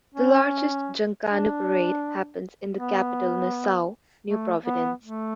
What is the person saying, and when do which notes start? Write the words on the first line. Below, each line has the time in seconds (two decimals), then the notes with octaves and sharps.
The largest Junkanoo parade happens in the capital Nassau, New Providence.
0.14 C#4
1.27 D4
2.77 B3
4.28 A3
4.65 B3
5.03 A3